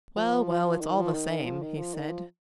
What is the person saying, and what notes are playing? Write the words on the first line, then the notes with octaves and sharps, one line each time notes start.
"Well, well, it's all the same," he said.
F3
F3
D#3
F3
D#3
D#3
F3
D#3
F3
D#3
F3